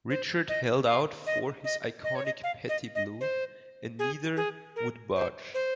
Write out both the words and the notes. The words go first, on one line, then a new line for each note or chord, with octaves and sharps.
Richard held out for his iconic Petty blue, and neither would budge.
C5
D#5
F5
D#5
D#5
D#5
C#5
D#5
F5
D#5
D#5
C5
G#4
G#4
A#4
C5
C5